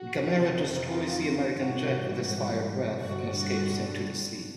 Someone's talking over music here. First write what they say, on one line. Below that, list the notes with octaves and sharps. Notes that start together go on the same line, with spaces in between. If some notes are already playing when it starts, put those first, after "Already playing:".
Gamera destroys the American jet with his fire breath and escapes into the sea.
Already playing: F#4
F2 C3 D#3
F4
G#2 E3 G3 F#4
G2 D3 G3 F#4